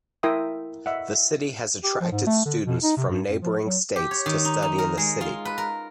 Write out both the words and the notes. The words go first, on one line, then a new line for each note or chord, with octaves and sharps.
The city has attracted students from neighbouring states to study in the city.
E4 A#4 E5 G5 C6 D#6
D#5 E5 F#5
G4
F3
G#2
A3
D3
B2
D#4
C3
G2
F#2
F3
F#3
G4
C#5
D#3
D#4
D#4
A#4
G#3
F4
B4
A#4